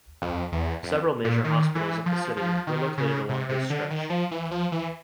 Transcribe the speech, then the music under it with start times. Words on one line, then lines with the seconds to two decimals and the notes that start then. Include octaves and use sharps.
Several major Hospitals of the city were located along this stretch.
0.22 F2
0.52 E2
0.83 F2
1.25 A#2
1.44 D#3
1.75 E3
2.06 F3
2.37 F3
2.67 D#3
2.98 C#3
3.29 C3
3.49 C3
3.70 D3
3.90 D#3
4.10 F3
4.31 E3
4.51 F3
4.72 E3